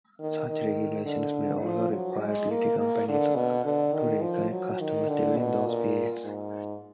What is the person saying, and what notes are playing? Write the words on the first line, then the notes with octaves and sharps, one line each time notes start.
Such regulations may also require utility companies to reconnect customers during those periods.
D#3
D#3
D3
F3
F#3
G#3
A#3
A#3
D3
B2
D3
D#3
F3
F#3
D#3
D3
B2
A#2
G#2